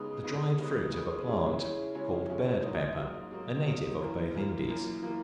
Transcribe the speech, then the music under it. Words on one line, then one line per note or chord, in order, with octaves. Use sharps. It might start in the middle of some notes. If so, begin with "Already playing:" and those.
The dried fruit of a plant called bird pepper, a native of both Indies.
Already playing: C#3 G#3 B3 D#4
C#3 G#3 B3 D#4
C#3 G#3 B3 D#4
C#3 G#3 B3 D#4
C#3 G#3 C#4 E4
C#3 G#3 C#4 E4
C#3 G#3 C#4 E4
C#3 G#3 C#4 E4
G#2 F#3 A#3 D#4
G#2 F#3 A#3 D#4
G#2 F#3 A#3 D#4
G#2 F#3 A#3 D#4
F#2 E3 A#3
F#2 E3 A#3
F#2 E3 A#3
E3 A#3